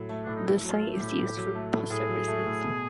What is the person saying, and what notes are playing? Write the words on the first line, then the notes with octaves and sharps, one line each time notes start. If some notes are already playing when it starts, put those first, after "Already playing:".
The site is used for bus services.
Already playing: A2 F#3
A3
A2 D4
D#4
A2 E4
F#3
F4
A3
G4
A2
A2
F#3
A3
A2
A2 G#4
F#3
A3
A2
B2